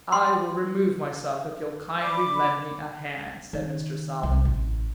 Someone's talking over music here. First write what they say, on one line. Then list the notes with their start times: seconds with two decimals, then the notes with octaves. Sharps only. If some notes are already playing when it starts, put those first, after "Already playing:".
"I will remove myself if you'll kindly lend me a hand," said Mr. Salvin.
0.12 C6
2.01 D5 B5 D6
3.53 D#3
4.23 C2
4.45 A1